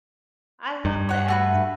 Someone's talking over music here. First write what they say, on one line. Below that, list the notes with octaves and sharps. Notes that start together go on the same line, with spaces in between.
I love that.
G2
C#5 F#5
A3 F#4 B4